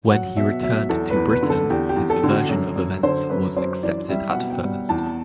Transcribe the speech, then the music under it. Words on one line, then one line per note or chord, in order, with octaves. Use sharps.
When he returned to Britain his version of events was accepted at first.
F#3 F#5
B2 E5
F#3 E5
E2 A4
B4
E2
B4
D3
A4
E2 G4
G4
E2
A4
D3
F#4
F#2
F#2
D3 C5
F#2 B4
F#2 C5
E3 D5
G3 E5
F#5
B2
G5
G3
E2 A5